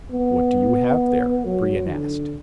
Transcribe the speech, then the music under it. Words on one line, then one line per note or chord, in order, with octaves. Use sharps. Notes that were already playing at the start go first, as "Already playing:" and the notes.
"What do you have there?" Brion asked.
B3
F#3
D3